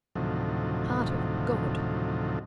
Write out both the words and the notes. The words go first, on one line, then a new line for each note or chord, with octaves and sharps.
Heart of God!
D2 A2 C3 D#3 F3 F#3